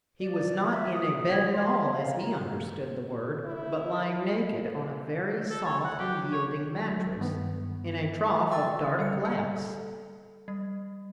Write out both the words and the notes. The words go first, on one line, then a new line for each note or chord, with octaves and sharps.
He was not in a bed at all as he understood the word, but lying naked on a very soft and yielding mattress, in a trough of dark glass.
D5
E5
D#6
G#6
C6
F5
A#5
E4
A4
C#5
F#5
G4
C#5
F#3
G2 D#3 B3
E5 G5 C6 E6 A6
D3 G3 A4 C#7
G3 A4
G3